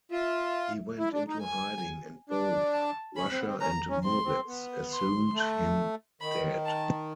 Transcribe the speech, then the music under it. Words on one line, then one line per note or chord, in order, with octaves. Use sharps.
He went into hiding and both Russia and Murids assumed him dead.
F4 E5
E4
D4
D#4
G#5
D4
A5
C#4 B5
C4
B3
C4
C#4 A#5
C#4
C4 C6
C4
B3
C6
A3
D#3 B5
A5